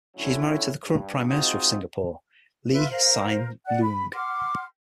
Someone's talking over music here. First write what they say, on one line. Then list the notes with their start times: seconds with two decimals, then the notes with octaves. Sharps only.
She is married to the current Prime Minister of Singapore, Lee Hsien Loong.
0.16 A2 D3 F#3 C#4 E4
0.87 G2
1.28 G#3 C4 D#4 F4 F#4
2.72 F4 B4 E5
2.90 A#4 C5 F5
3.66 D5 F#5 F#6
3.82 B5
4.14 F#5 C6 D6 F6